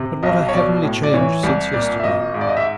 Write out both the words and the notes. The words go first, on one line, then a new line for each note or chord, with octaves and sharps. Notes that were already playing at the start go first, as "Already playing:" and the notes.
But what a heavenly change since yesterday!
Already playing: C3
B1 D#5
C#5
B2 D5
A2
D5
E3 C#5
C2 D5
A#2 D5
E5
G#1 D#5
G#2
D5
D#5
E5